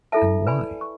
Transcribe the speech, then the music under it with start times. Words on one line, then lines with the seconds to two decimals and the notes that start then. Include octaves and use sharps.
And why?
0.12 E4 A4 E5 A5
0.47 B4 D5 G#5 B5
0.81 C#6